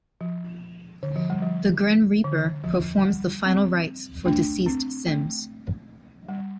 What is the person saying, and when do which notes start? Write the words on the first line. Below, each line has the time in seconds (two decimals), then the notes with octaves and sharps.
The Grim Reaper performs the final rites for deceased Sims.
0.21 F3
1.03 D3
1.16 F3
1.30 G3
1.42 F3
2.24 D3
2.64 F3
3.05 G3
3.46 C4
4.26 A3 D4
4.66 C4
5.07 A3
6.29 G3